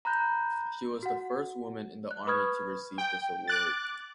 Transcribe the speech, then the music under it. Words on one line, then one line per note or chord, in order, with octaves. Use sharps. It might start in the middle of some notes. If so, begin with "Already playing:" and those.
She was the first woman in the Army to receive this award.
A#5 B5 F#6 G6
F#4 F#5
F#6
B4 B5 C#6 D#6 F6 G#6
G5
D6 F#6 A6